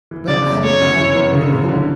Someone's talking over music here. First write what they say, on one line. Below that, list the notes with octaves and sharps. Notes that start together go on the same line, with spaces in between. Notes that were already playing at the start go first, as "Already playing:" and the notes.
But I didn't have no real hope.
E3
C#3 D5
F#2
F#2 C#5
F#2
E3
F#2
C#3
E3
D3